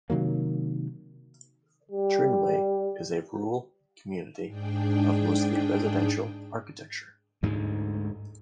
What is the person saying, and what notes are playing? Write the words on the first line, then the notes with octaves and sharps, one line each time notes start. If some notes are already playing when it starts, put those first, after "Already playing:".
Trinway is a rural community of mostly residential architecture.
C3 D#3 F#3 A#3
G3
G#2 D4 G#4 G5
D2 G#2 G#3